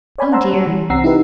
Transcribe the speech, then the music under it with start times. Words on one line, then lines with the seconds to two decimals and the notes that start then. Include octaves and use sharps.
Oh dear!
0.18 C#5 D5 G#5 B5
0.32 C5 F#5 A5 A#5 C6 E6
0.54 G3
0.67 E3 G3
0.90 C2 C4 F#5 A#5 E6 C7
1.04 D#4 E4 G4 B4